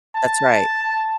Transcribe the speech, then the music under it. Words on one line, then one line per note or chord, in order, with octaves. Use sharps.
That's right.
A5